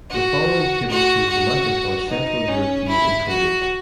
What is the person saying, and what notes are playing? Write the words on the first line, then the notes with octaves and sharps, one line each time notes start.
The following table shows the Macintosh Central European encoding.
F#4
F#4
F#4
D#4
C#4
E4
F#4